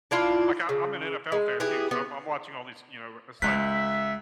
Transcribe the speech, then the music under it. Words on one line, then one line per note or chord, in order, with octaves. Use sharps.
Like, I I'm an NFL fan, too, so I'm I'm watching all these, you know it's like
D4 E4 F4
C#3
G#3
B3 E4 G4 G#4
B3
C#2 G#3 E5 F#6 B6